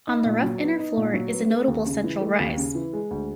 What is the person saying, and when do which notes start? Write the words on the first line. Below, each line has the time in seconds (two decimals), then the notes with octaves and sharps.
On the rough inner floor is a notable central rise.
0.07 D#4
0.26 A#2
0.43 F#3
0.61 B3
0.79 D#4
0.97 A#2
1.14 F#3
1.33 B3
1.50 A3
1.68 D#2
1.86 C#3
2.04 E3
2.21 A3
2.40 D#2
2.57 C#3
2.75 E3
2.93 G#3
3.11 D2